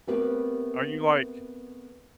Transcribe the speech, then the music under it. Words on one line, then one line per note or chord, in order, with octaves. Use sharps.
"Are you like"
A3 B3 C4 G4 A#4 B4